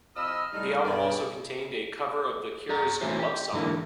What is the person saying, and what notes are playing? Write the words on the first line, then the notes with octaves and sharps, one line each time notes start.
The album also contained a cover of The Cure's "Lovesong".
C3 F3 E4 D#5 B5 E6 F6
A2 G3 G#3 D#4
G2 B2 B4 D5
G#4 D5 A#5
A2 E3 C#4 E4 F#4 C5
G4
G#2 D3 E3 A#3